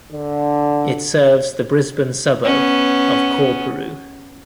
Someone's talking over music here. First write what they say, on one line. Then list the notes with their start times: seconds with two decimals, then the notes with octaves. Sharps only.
It serves the Brisbane suburb of Coorparoo.
0.12 D3
2.44 B3 C#4